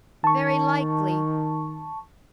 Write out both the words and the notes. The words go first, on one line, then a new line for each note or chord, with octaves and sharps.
Very likely.
D#3 A5 C#6